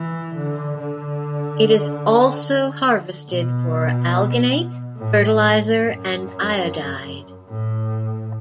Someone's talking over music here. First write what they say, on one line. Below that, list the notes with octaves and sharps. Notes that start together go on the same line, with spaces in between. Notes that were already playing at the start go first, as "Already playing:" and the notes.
It also is harvested for alginate, fertilizer and iodide.
Already playing: E3
D3
D3
B2
A2
F#2
A2